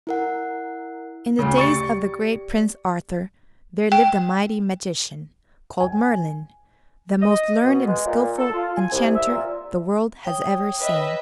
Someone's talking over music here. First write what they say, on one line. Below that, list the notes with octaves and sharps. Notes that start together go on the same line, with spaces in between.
IN the days of the great Prince Arthur there lived a mighty magician, called Merlin, the most learned and skillful enchanter the world has ever seen.
E4 A#4 F#5
D2 C#3
G4 D5 C#6 A6 C#7
G5
G#5
D#5
B2
G#3
A#2
A4
F4
G#5
C2
E5
A#2
C#5 G5 D#6
B4 D#5 E5